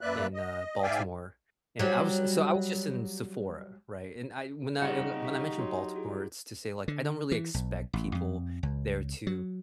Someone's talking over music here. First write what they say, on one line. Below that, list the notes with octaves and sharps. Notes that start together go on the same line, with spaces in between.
in, uh, Baltimore, and I was so I was just in Sephora, right, and I when I, eh, when I mentioned Baltimore, it's to say, like, I don't really expect people there to
F#2 A#3 B4 D5 E5 F#6
D#5
G#2 D5 E5 F5 G5 G#5
F#3 G3
C#3 G3 D#4 G4 D5 D#5 F#5 C#7
D#5 C#6 B6
F#3 C#5 C6
E4 F#4 G#4
D3
E3
B1
A1
F2
C#2
F#3